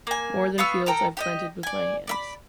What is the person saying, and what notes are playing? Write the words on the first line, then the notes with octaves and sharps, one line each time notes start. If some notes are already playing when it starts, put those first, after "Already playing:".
More than fields I've planted with my hands.
A#3 G#5
B3 F5 C#6 E6
A4 A#4 G5 A#5
G4 D5 D#5
D5 G#5
D5 E5 B5